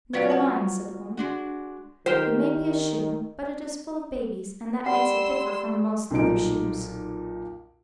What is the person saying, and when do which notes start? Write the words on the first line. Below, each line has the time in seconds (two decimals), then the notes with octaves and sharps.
"Never mind," said the woman; "it may be a shoe, but it is full of babies, and that makes it differ from most other shoes."
0.14 F#3 F4 F#4 B4 D5 F5
0.30 C5 F#5 A5
1.17 G#3 D4 F#4
2.06 D#3 G4 A#4 C5
4.86 G3 F#5 C6 E6
6.11 B1 A#2 C4 D#4 D7